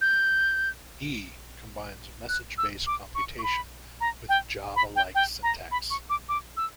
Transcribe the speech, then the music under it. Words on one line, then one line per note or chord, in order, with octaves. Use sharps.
E combines message-based computation with Java-like syntax.
G6
F#6
E6
D6
C#6
C#6
B5
A#5
G5
B5
G5
G5
A#5
B5
C#6
D6
D6
E6